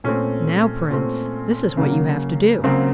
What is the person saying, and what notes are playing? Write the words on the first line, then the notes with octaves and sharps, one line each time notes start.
'Now, Prince, this is what you have to do.
A#2 A3 C4 C#4
A#2 A3 C4
C#3 F#3 A#3
C#3 F#3 A#3 C4